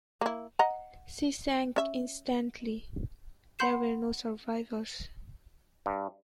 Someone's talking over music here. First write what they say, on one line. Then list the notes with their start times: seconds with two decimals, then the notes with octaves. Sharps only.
She sank instantly; there were no survivors.
0.21 A#3 E4
0.59 D#5 F#5 A#5
1.76 C#4 E5
3.59 F#5 B5 C6 G6 C7 E7
5.86 G2